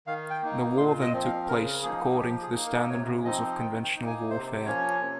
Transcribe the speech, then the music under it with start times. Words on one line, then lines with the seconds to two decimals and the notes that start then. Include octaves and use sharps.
The war then took place according to the standard rules of conventional warfare.
0.07 D#3 F5
0.30 G5
0.42 A#3 D#4
0.77 A#2 C6
1.01 D#5
1.13 F3 C4
1.25 F5
1.48 C#3 A#4
1.83 F3 A#3 D#4 G#4
2.18 F3 G4
2.42 G#4
2.54 A#3 D#4
2.66 A#4
2.89 C3 C#5
3.24 F3 C4 D#4 D#5
3.60 D#3 G5
3.83 G5
3.96 A#3 D#4
4.07 G#5
4.30 C3 C5
4.66 F3 A#3 C#4 C#5
5.01 C3